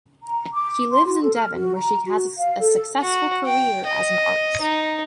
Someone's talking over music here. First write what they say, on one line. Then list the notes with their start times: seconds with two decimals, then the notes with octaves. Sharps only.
She lives in Devon where she has a successful career as an artist.
0.23 A#5
0.53 D6
0.91 C6
1.06 F#4
1.23 A4
1.36 F6
1.55 F#4
1.77 A#5
2.04 F#4
2.37 F5
2.59 A4
3.02 F#4
3.46 G5
3.86 D#5
4.61 D#4